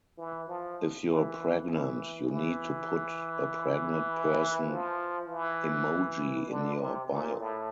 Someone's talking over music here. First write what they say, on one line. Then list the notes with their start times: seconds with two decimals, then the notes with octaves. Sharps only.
If you’re pregnant, you need to put a pregnant person emoji in your bio.
0.18 E3
0.48 F3
1.09 E3
1.68 E3
2.28 E3
4.69 F3
5.28 E3
6.49 D3
6.78 C3
7.08 A#2
7.38 A2